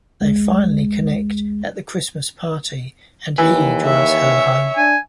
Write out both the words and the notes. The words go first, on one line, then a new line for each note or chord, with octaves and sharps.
They finally connect at the Christmas party and he drives her home.
A#1 D#2 G#3
D#2 E3
C#5 E5
D4 G#5